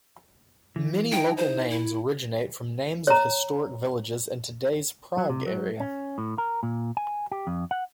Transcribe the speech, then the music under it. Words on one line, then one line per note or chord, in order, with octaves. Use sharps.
Many local names originate from names of historic villages in today's Prague area.
E3
D#4 E4 G5
C5
E4
C#5 A#5
F#3
C3
F#3
C#4
A2
A#4
A#2
G#5
G4
F2
F#5